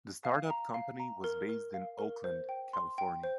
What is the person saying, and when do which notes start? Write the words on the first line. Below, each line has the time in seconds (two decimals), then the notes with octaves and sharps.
The start-up company was based in Oakland, California.
0.25 F5
0.50 A#5
0.74 F5
1.00 A#5
1.24 A#4
1.49 A#4
1.74 F5
1.99 A#4
2.24 C5
2.49 G5
2.73 C6
2.98 G5
3.23 C5